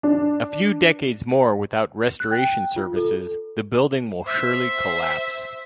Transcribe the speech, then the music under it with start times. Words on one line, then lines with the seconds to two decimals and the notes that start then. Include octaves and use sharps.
A few decades more without restoration services, the building will surely collapse.
0.03 D4
2.20 F#6
2.31 G5
2.76 F4
2.96 A4
4.24 C5 E5